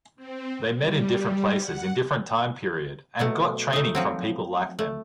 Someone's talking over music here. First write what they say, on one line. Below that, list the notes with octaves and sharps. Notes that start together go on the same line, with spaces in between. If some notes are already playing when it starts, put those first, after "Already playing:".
They met in different places in different time period and got training from people like them.
C4
G3
F#5
B2 F#3 A3
A3 D#4
F3 F#3 C4
A3